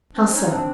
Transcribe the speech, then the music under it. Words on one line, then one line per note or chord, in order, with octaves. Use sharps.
"How so?"
C4 D4
C#4 D#4
C4 D4